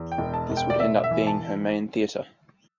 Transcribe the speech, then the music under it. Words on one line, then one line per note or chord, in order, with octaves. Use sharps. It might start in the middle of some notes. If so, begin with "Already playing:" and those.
This would end up being her main theatre.
Already playing: E2
G5
E1
A5
E1
G5
D5
E1 E5
E5
E3
A5